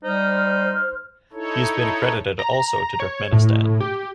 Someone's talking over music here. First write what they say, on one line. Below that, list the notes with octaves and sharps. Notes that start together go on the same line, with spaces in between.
He has been accredited also to Turkmenistan.
G3 D#4 C5 F6
D#4 E4 A4 C#5
A#5
C#5
A2
G4